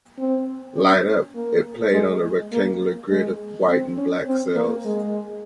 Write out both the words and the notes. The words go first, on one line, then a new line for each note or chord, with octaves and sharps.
"Light Up" is played on a rectangular grid of white and black cells.
C4
C#4
A#3
G#3
G#3
A#3
G#3
C4
C#4
C4
A#3
G#3